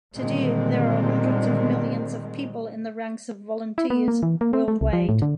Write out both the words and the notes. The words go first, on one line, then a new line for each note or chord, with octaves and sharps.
Today, there are hundreds of millions of people in the ranks of volunteers worldwide.
A#2 D3 D#3 G3 G#3 C4
E4
B3
A#3
E3
A#3
C4
A3
C2
F3
A2
D3